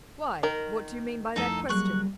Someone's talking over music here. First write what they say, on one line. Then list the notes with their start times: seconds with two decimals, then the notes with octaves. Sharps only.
"Why?--what do you mean by that question?"
0.43 D#3 A#4
1.36 F2 A3 D#4 E4 A4
1.69 F#3 G3 A#3 G#4 C#6 F#6